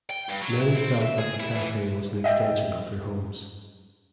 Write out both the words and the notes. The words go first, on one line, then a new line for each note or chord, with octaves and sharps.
Many felt like the cafe was an extension of their homes.
G5
G2
F#3
E4
C4
E5
G#4
E4
E3
D#5 E5 G5